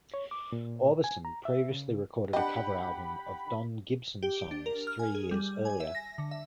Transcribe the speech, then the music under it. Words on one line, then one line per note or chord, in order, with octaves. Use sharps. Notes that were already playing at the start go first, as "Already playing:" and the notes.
Orbison previously recorded a cover album of Don Gibson songs three years earlier.
C#5
D6
A#2
G#5
A#5
E5
C#3
D4 G4 D#5 F#5 B5
G4
D4
A#4
F6
G#5
G#4
G3
G#5
E5
A#6
D3
E5